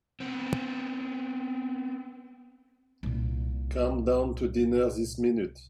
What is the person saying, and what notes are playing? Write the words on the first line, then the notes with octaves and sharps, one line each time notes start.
Come down to dinner this minute.
B3 C4
C2 A#2